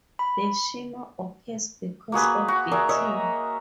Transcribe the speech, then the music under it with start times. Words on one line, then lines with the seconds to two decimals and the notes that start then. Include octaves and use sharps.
The shimmer occurs because of beating.
0.19 B5
2.12 A#3 F#4 G#4 B4
2.48 F#4
2.72 G#4 A#4 D5 E5
2.89 A#4 C#5 D#5 E5